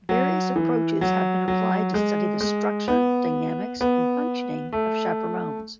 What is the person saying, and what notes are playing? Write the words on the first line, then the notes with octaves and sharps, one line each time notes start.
Various approaches have been applied to study the structure, dynamics and functioning of chaperones.
F#3
E3
F#3
F#3
G#3
G#3
B3
B3
A3